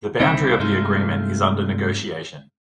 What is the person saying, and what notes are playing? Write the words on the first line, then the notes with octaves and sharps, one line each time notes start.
The boundary of the agreement is under negotiation.
C2 C4 D#4 E4 C5 D#5
G2 C3 G#3 A3 D#4 F4